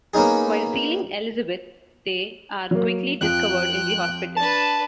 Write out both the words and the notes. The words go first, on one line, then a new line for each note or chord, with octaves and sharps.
While stealing Elizabeth, they are quickly discovered in the hospital.
A#3 B3 C#4 D#4 G#4
F#3 A#3
F2 F3 G5 F#6
D4 B4 A5